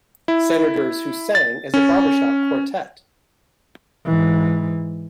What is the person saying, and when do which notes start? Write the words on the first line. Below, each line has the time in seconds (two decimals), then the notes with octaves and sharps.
Senators who sang as a barbershop quartet.
0.28 E4
1.35 A6
1.74 C#4
4.05 G#2 E3